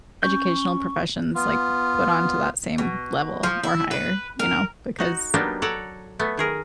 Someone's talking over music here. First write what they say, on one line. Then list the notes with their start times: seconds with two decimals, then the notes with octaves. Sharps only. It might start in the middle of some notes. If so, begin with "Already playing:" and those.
educational professions, like, put onto that same level or higher, you know? Because
0.23 C#4 C#6 G6
1.35 B3 F4
2.78 B2
3.43 F3
3.63 E4
3.91 B4
4.39 A#4
4.99 D#4 F#4 F#5
5.34 F#3 G3 A#3 B3 D4 D#4
5.62 A4 C#5 D5 F#5 A#5
6.19 A3 B3
6.37 D#3 G#4 A#4